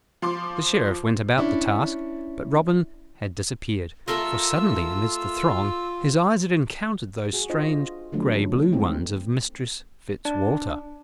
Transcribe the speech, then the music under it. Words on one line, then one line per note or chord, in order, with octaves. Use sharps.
The Sheriff went about the task; but Robin had disappeared; for suddenly, amidst the throng, his eyes had encountered those strange grey-blue ones of Mistress Fitzwalter.
F3 C6 D6
C#4 D4 E4
A3 F4 A4 A#4 E6
F#4 G#4
D4 F4 C5 D#5
D3 F3 F#3 A3 D4
G#3 A3 B3 C4 D#4 E4
D4